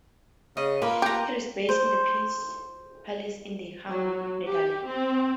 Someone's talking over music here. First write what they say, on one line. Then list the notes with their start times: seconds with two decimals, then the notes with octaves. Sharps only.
It is based in the Peace Palace in The Hague, Netherlands.
0.57 C#3 D#5
0.82 A#3 F4 B4 B5
1.02 G4 B4 A#5
1.69 C5
3.89 F#3
4.47 G4
4.87 C4